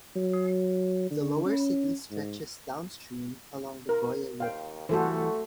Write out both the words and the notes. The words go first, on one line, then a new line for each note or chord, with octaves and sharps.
The lower city stretches downstream along the Broye river.
F#3
D3
C#4
G#2
A#4
D#2 F5 G5
E3 G3 A3 F#4 A4 C5